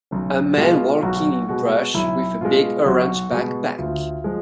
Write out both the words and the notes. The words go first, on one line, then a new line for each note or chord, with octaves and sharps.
A man walking in brush with a big orange backpack.
B1 C#4
B2 G#3 F4
B1 F#4
B2 G#3 F#4
B1 E4
B2 G#3 F4
B1 F#4
B2 G#3
D2 F4
F3 G#3